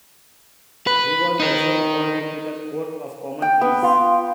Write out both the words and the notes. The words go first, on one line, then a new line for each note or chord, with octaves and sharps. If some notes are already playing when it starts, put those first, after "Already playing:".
He was also appointed to the Court of Common Pleas.
B4
D#4 A#4
G5
B3 G5
F4